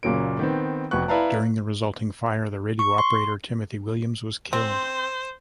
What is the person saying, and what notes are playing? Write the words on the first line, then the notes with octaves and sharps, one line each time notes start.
During the resulting fire the radio operator, Timothy Williams, was killed.
F#1 A#2 C#3 F#3 A#3 D7
D#3 B3 C4
F1 F2 F#4 B4 C#6 F#6
E4 B4 D5 F5 A5 A#5
C#6
C6
C4 C5